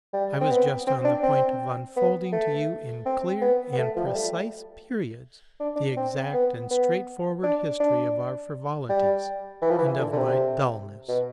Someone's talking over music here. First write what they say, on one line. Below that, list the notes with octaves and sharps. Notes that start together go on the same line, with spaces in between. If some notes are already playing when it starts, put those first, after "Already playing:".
I was just on the point of unfolding to you in clear and precise periods the exact and straightforward history of our frivolities and of my dulness.
G3
C4
B3
C4
D4
C4
B3
A3
C4
B3
B3
A3
F3
G3
A3
D4
D4
C4
B3
B3
D4
D4
G3
E3
F3
E3
D3
D3
C3
B2